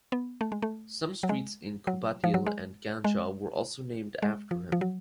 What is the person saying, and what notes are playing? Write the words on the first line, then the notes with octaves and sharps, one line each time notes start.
Some streets in Qubadli and Ganja were also named after him.
B3
A3
G#3
A3
F#3
G#3
F#3
F3
F#3
G#3
G#3
G#3
F3
F3
F#3